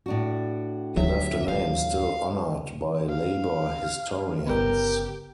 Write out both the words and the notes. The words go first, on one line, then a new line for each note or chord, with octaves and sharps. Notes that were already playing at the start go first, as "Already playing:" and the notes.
He left a name still honoured by labour historians.
A2 D4 F#4
D2 F#3 E5
D#2 F4 F5
F5
G1 C#3 B3 G4 A#4